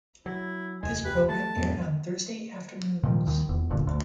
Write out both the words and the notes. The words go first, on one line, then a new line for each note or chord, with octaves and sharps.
This program aired on Thursday afternoons.
F#3 E4
F1 D#2 G#3 G#5
G4 B4
A3 A5
E1
A#2 D#3 F3 G3
D#2 D#3
D#1 E2
F#1 G2 A#2 D3
D2